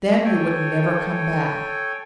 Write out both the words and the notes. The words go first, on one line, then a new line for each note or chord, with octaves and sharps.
Then you would never come back.
A4 C#5 G5 G#5